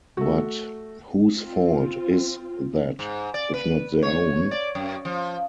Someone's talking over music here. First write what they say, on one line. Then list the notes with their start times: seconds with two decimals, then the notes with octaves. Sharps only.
But, whose fault is that, if not their own?
0.17 A3 F#4
1.36 C4 F4
2.99 G#2
3.34 D5
3.54 B4
4.03 C#5
4.51 D5
4.75 F#2
5.05 F3